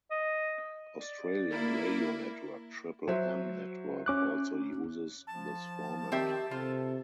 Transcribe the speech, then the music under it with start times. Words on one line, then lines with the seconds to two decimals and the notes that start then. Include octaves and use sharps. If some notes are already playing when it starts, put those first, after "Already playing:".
Australian radio network Triple M Network also uses this format.
0.11 D#5
0.97 D5
1.50 A#3 E4
3.08 F#3 C5 E5
4.06 C#4 D6 F#6
5.27 F3 A5
6.12 D#3 C4 G4 E5
6.51 C3 F4 A4